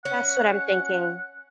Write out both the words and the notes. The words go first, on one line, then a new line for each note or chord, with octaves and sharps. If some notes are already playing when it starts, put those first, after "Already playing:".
That's what I'm thinking.
C#4 F#5